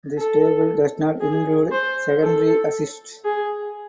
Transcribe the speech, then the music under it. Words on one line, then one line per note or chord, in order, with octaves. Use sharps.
This table does not include secondary assists.
A4
G#4
C5
A4
G#4